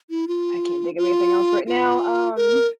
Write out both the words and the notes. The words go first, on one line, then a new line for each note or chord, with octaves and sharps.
I can't think of anything else right now. Um,
E4
F4
F4
F4
A#4